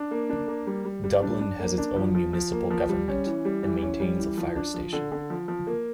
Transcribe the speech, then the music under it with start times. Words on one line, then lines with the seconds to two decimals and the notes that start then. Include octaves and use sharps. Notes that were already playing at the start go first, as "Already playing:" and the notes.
Dublin has its own municipal government and maintains a fire station.
Already playing: D4
0.11 A#3
0.30 D4
0.48 A#3
0.67 G3
0.85 G3
1.04 G3
1.22 D4
1.41 D4
1.59 A#3
1.78 D4
1.96 F3
2.15 F3
2.33 F3
2.52 A#3
2.70 F3
2.89 G3
3.08 C#4
3.26 E3
3.45 G3
3.63 E3
3.82 C#4
4.00 G3
4.19 E3
4.38 F3
4.56 D4
4.74 F3
4.93 D3
5.11 D3
5.30 F3
5.48 F3
5.67 A#3